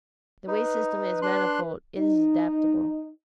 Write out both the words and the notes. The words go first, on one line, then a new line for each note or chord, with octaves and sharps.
The wage system is manifold, it is adaptable.
D#4 B4
D4 C6 F#6
D#4